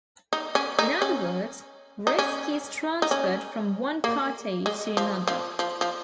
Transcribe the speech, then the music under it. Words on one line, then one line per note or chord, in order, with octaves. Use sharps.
In other words, risk is transferred from one party to another.
D#4
C#4
D#4
C#4
D#4
C#4
D#4
C#4
A#3
G#3
F3
F3
F3
F3